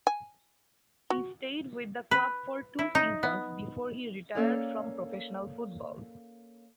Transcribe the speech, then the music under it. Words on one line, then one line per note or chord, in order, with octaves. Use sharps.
He stayed with the club for two seasons before he retired from professional football.
G#5
F#4
B4
E4
D#4
B3
A#3 C#4 A4 A#4 D5 F5